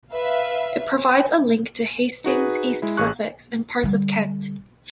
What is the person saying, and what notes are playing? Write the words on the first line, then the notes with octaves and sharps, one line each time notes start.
It provides a link to Hastings, East Sussex and parts of Kent.
B4 E5 F5
D#4 F#4 G#4 B4
G#3 E4
A1 G#4 C#6 F#6
D3 G3